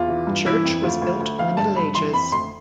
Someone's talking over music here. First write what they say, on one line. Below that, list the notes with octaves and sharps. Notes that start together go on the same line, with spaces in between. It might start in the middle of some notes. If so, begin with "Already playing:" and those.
The church was built in the Middle Ages.
Already playing: E2 F4
E3
G2
E3 E4
F2
D2 F4
D2
D2
D2 F5
G2 A5
G2 B5
E3 C6
F2 B5
D2 C6